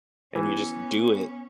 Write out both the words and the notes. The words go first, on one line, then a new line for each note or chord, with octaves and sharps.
and you just do it.
E3 B3 C#4